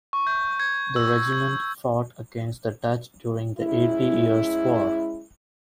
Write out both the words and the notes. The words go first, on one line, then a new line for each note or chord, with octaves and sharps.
The regiment fought against the Dutch during the Eighty Years' War.
C#6
G6
G#6
E6
G#6
G#3 C#4 E4